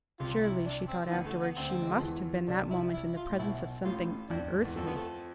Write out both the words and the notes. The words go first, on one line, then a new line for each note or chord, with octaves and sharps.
Surely, she thought afterwards, she must have been that moment in the presence of something unearthly!
C2 C3 F4
E4
D4
C4
E3
D2 D3 B3
A3
B3
D2 D3 C4
G#3
F3
E2 E3
C2 C3 D4
E4
E4
F4
A2
B1 B2 E4
A1 A2 F4
F2 D4
F2
G#2
E2 E3
F2 F3 A3
B3
A3